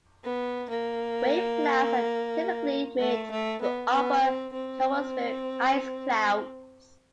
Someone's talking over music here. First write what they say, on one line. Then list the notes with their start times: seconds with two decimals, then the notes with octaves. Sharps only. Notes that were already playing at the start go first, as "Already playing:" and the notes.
Wave clouds are typically mid- to upper-tropospheric ice clouds.
0.24 B3
0.70 A#3
2.99 A3
3.31 A3
3.61 B3
3.92 B3
4.23 C4
4.53 C4